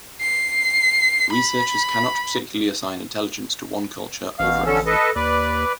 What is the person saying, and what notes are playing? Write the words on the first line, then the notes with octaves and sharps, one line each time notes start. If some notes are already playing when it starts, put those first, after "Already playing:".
Researchers can not particularly assign intelligence to one culture over another.
C7
B5
A1 B2 F5
D3 C#4 A4
A4 B4 D#5
D#2 B4 D5